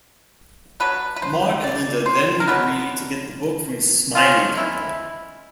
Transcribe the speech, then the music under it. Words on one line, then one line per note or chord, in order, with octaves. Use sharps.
Mark and Linda then agree to get the book from Smiley Town.
F#3 B3 D4 B4
B4
C5
D5
C5
A#4
D3 F#3 B3 D#4 B4
F3 G#3 C#4 F4
E4